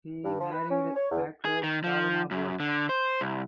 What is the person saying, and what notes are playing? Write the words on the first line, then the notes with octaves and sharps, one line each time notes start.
He married actress Sadhana Bose.
G2
F3
B4
C#4
C#5
E2
G#4
D#3
F3
F#2
D3
C5
C2